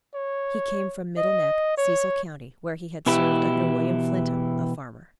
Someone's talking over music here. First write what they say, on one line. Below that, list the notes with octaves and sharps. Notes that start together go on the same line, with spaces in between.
He came from Middle Neck, Cecil county, where he had served under William Flintham, a farmer.
C#5
D#5
C#5
B2 E3 E4 G4